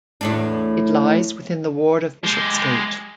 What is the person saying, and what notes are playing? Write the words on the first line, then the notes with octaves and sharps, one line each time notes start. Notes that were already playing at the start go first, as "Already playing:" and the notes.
It lies within the ward of Bishopsgate.
E2 A2 D4
G#3 G4